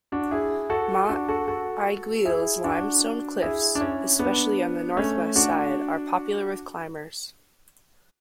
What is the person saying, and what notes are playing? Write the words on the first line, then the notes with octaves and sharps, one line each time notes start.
Mont Aiguille's limestone cliffs, especially on the northwest side, are popular with climbers.
D4 F#4
E4 G#4
F#4 A4
D4 F#4
F#4 A4
F#4 A4
E4 G#4
D4 F#4
E4 G#4
D4
C#4 E4
B3 D4
A3 C#4
D4 F#4